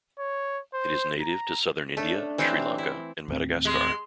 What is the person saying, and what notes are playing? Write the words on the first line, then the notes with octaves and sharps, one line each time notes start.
It is native to southern India, Sri Lanka, and Madagascar.
C#5
C5
A#5
A3 C#4 D4
E3 C4 C#4 G4 E5
E4
D#2 A2 C4
G#3 C6